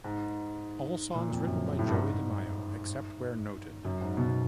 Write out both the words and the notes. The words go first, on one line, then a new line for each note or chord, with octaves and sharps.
All songs written by Joey DeMaio, except where noted.
G#2
A#2
F2
F#2
A2
G2
G#2
F#2
G#2
B2